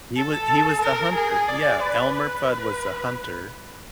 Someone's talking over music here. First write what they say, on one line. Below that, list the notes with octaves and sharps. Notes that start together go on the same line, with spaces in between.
He wa he was the hunter, yeah, Elmer Fudd was the hunter,
A4
A#4
G#4
D5
B4
B4